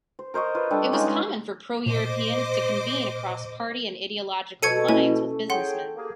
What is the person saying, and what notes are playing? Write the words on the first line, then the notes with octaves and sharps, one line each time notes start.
It was common for pro-Europeans to convene across party and ideological lines with businessmen.
C5
A#4 C5 D#5 C#6
F4 B4
G3 D4 A4
G#3 C#4 D#4 F4
G#3
A#2 C5 D#5 D6
B2 A4 C#6 G#6 C#7 D#7
A#3 C#4 E4 G#5
G#4 C#5 F#5 G5 C6
A#3 G4 G#4